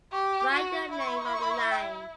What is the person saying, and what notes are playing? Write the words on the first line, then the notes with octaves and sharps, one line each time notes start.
Write your name on the line.
G4 C#6
D6
F#4
E4 B5
C#6
B5
C#6
B5
C#6
B5
C#6
B5
G5